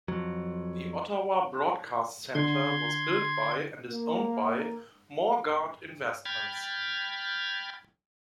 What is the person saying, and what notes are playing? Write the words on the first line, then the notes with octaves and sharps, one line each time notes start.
The Ottawa Broadcast Centre was built by and is owned by Morguard Investments.
F2 F#3
D3 C6 G#6
A#3
G5 B5 F6 G#6 A6